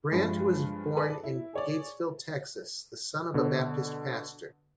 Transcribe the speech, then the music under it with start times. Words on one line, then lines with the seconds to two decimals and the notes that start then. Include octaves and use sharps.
Bryant was born in Gatesville, Texas, the son of a Baptist pastor.
0.11 G2 F3 G#3
0.96 G#4 A4 B4 D5
1.24 E4
1.53 G#4 C#5 D5
3.34 B2 D3